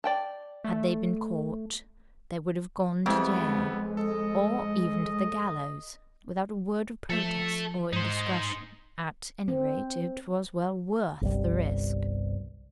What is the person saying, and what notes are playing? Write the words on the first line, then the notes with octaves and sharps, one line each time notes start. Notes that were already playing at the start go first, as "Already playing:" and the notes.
Had they been caught they would have gone to jail, or even to the gallows, without a word of protest or indiscretion; at any rate it was well worth the risk.
D5 G5 A5
A3
F2 G3 G#3 B3 C4 E4
A4 D#5
F3 A4 E5
G#2 D#4 C5
C4
G1 C2 G3